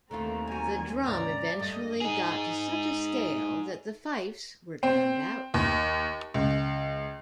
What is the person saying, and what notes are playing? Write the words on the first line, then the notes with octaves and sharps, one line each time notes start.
The drum eventually got to such a scale that the fifes were drowned out.
D#2 D3 D#3 A3 C4 F4 A#5
G3 F#4 G#5
G#2 C#3 C#4 D5 A#5
G2 G3 A3 D#5
D#4 G#4
C4
D#2
C#2